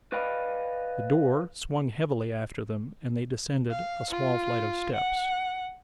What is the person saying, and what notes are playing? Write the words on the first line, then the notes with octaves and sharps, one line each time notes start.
The door swung heavily after them, and they descended a small flight of steps.
B4 D5 D#5 F5 G5 B5
F5
F4
F#5